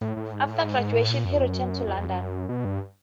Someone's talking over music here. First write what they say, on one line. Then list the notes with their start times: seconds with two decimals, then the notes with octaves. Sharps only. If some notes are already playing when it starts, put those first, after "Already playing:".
After graduation he returned to London.
0.01 A2
0.17 A2
0.33 G#2
0.48 A2
0.63 G#2
0.78 G#2
0.94 A2
1.10 A#2
1.25 F#2
1.34 F2
1.44 F#2
1.87 F2
1.97 F2
2.09 F#2
2.49 B2
2.65 G2